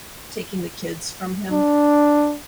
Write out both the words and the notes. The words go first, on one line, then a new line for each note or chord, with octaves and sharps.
taking the kids from him.
D4